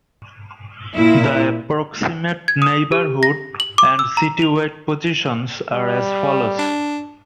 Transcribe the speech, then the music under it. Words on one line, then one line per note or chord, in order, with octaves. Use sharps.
The approximate neighborhood and citywide positions are as follows.
A#2 E4
G#6
D#6
G4
A#6
F#7
D6
E6
A#5
F7
G3
D4